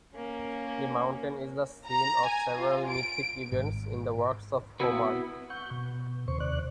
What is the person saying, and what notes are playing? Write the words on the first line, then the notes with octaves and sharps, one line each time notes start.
The mountain is the scene of several mythic events in the works of Homer.
A#3 C#4
A#5
G#5
F4
D7
G#1
B3 C4 E4 F#4 B4
F#5 C#6 G6
B2
D#2 C3 C5 C#6
D#2 C3 D5 F#6